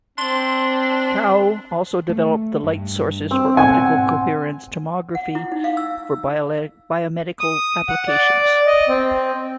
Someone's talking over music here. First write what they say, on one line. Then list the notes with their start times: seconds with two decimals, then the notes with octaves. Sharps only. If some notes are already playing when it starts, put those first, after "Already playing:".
Cao also developed the light sources for optical coherence tomography for biomedical applications.
0.18 C4 D4 C6
2.09 A3
2.64 G2
3.31 C4
3.57 G#2 B2 F#5 G#5
5.15 F#5
5.35 E4
5.52 D#4
5.64 F5
5.77 E6
7.40 D#6
7.88 F#5
8.08 D5
8.67 D#5
8.88 C4